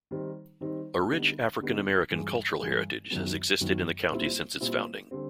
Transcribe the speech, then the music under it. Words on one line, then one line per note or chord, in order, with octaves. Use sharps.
A rich African American cultural heritage has existed in the county since its founding.
D#3 G3 C4 D#4
D#3 G3 C4 D#4
D3 G3 B3 D#4
D3 G3 B3 D#4
G2 E3 G#3
G2 E3 G#3
F#2 D#3 F#3 B3
F#2 D#3 F#3 B3
A#2 G3 C4 E4
A#2 G3 C4 E4
D3 G3 C4